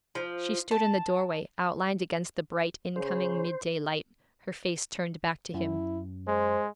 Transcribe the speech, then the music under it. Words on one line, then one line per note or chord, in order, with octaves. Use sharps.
She stood in the doorway, outlined against the bright incoming mid-daylight, her face turned back to him.
F3
A5
C#3 C5
F#2 E4
G#3 C5